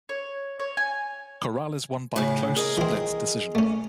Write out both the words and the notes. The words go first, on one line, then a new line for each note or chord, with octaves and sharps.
Corrales won by close split decision.
C#5
C#5
G#5
A2 C#3
G#4 A#4 D#5
E3 C4
A3 C#4